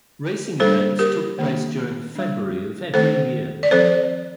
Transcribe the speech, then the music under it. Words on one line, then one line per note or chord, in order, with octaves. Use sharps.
Racing events took place during February of every year.
G3 A#3 D4 A4 C5
G4 A#4
D#3 A#3 D4
G3 D4
D#3 A3 C4 A4 C5
D5
F3 C4 A4 C5